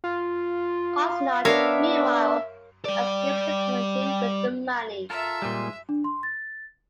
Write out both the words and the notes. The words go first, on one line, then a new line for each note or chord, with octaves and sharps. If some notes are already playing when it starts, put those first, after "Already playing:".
Osnard, meanwhile, escapes the country with the money.
F4
B3 D4 A#4 C#5 E5 F5
G3 D5
F4 A4 A#4 E5
A#2 G3 G#3 G#5 C6
D4
C6
A6